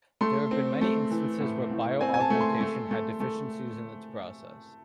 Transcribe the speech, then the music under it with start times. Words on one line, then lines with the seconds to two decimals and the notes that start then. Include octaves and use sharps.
There have been many instances where bioaugmentation had deficiencies in its process.
0.21 A3 C6
0.51 C4
0.81 A3
1.11 E3
1.41 A2
1.71 A2
2.01 C4 G#5
2.14 G#5
2.20 A5
2.30 A3
2.41 C6
2.61 A3
2.91 A3
3.20 A3